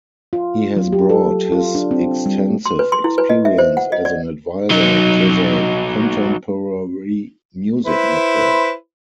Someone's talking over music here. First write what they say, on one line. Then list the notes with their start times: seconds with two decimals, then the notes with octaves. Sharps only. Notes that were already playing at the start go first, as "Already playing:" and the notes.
He has brought his extensive experience, as an advisor, to the Contemporary Music Network.
0.33 F4
0.77 F#3
0.92 G4
1.10 A4
1.52 F4
1.75 D4
1.91 C4
2.26 G3
2.66 C6
2.79 B4
2.92 C6
3.04 E4
3.18 B4
3.30 D#5
3.45 E5
3.58 C5
3.77 F#5
3.92 D#5
4.05 D5
4.71 F#3 D#4
7.86 E4 B4 C5